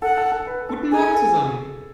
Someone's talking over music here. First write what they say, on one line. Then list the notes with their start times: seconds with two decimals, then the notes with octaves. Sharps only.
Guten Morgen zusammen!
0.02 A4 F#5
0.17 A4
0.32 A4
0.47 B4
0.69 A4
0.92 G#4 G#5
1.14 A4